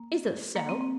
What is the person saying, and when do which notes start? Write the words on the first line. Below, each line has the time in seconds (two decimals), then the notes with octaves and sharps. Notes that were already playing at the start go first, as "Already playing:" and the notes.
Is this so?'
Already playing: A#3
0.56 A#3
0.69 C4
0.81 C4